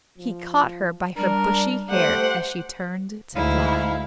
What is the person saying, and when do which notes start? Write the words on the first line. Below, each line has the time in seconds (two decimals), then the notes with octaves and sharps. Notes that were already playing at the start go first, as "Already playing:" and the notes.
He caught her by her bushy hair as she turned to fly.
0.18 F3
1.17 G3 D4 A#4
1.91 A3 G4 C5 F#5
3.36 D2 G#2 G#3 E4 F5